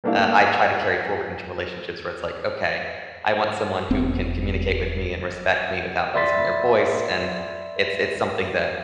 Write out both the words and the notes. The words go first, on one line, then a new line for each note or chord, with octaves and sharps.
uh, I try to carry forward into relationships where it's like, "Okay, I want someone who can communicate with me and respect me without raising their voice," and it's it's something that
G3 A3 A#3 D4 E4 F5
E1 B3 C4
D5 E5 B5 C6 A6 B6